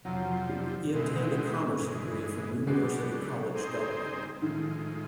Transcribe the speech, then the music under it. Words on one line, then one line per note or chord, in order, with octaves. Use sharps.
He obtained a Commerce degree from University College Dublin.
F2 C3 F3 F#3
G3
B2 G#3 C4 E4
G2 E3 G#3
F#3 G#3 B3 D4 G4
G3 C4 D#4 G#4 C5
A2 D#3 F3 G#3